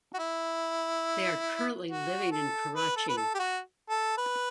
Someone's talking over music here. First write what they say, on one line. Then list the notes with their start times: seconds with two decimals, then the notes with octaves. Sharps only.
They are currently living in Karachi.
0.14 F#4
0.18 E4
1.89 F#4
2.32 A4
2.76 B4
2.96 A4
3.09 B4
3.17 A4
3.34 G4
3.39 F#4
3.90 A4
4.18 B4